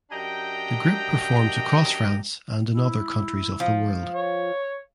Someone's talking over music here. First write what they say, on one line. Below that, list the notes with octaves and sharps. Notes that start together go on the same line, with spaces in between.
The group performs across France and in other countries of the world.
F#2 D4 G4 D#5 G5 A#5
E4
F3
C#5